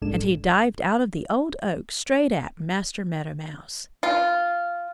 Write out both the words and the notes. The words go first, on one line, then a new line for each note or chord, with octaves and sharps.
And he dived out of the old oak straight at Master Meadow Mouse.
A#1 G#2 G#3 D4 A4 E7
F4